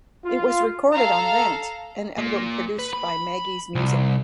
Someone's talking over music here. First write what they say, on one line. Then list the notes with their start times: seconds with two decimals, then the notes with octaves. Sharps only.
It was recorded on "Rant", an album produced by Maggie's Music.
0.24 F4
0.94 A4 F5 A#5
2.18 A#2
2.79 B4
2.93 B5
3.75 C2